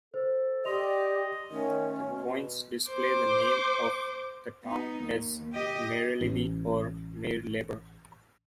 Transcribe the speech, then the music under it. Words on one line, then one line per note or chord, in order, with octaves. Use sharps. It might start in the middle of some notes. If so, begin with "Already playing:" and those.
The coins display the name of the town as Maerlebi or Maerleber.
A4 C5
G4 D5 D#5 C6 F7
D#3 A3 C#4
B2
C5 D6
B3 D#4
D#2
G4 D#5
E1 A1